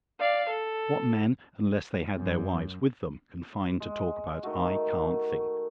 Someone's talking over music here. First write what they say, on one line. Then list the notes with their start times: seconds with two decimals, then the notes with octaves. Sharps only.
What men, unless they had their wives with them, can find to talk about, I can't think.
0.20 D5 F5
0.50 A4
2.18 F#2
3.80 G#3
4.43 D#3 A3 F#4